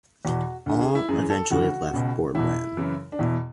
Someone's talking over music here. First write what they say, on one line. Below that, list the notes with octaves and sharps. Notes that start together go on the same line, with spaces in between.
All eventually left Borland.
E2 B2 F#4
D2 D3
G#4
E4
F#2 E3 G#4
A4
D2 C#3 E3 F#4
C#2 B2
E2 B2 E4
F#2 C#3 E3
D4
E2 B2 E4